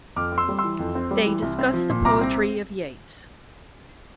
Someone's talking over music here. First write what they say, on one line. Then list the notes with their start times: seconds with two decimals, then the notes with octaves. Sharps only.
They discuss the poetry of Yeats.
0.16 F2 D6 F6
0.32 C4
0.38 C6 E6
0.49 G3
0.58 C6 E6
0.64 E3
0.79 F2
0.95 C4
1.11 G3
1.26 E3
1.42 C2
1.59 C4
1.73 F3
1.90 A#2
2.05 C2 A#5 D6
2.21 C4